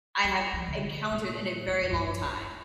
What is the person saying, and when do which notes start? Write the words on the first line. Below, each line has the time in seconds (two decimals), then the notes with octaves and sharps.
I have encountered in a very long time,
0.24 G3
0.53 F3
0.68 D3
1.11 A#2
1.67 A2
1.81 F2
1.92 G2
2.04 F2
2.24 E2